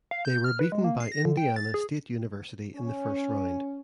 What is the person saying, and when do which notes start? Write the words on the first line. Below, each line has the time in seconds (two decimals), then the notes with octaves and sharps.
They were beaten by Indiana State University in the first round.
0.11 F5
0.25 G6
0.44 F6
0.59 B4
0.72 G#3
0.84 A#3
1.00 C7
1.12 A#6
1.25 D3
1.37 G5
1.56 A6
1.74 G#4
2.76 C#4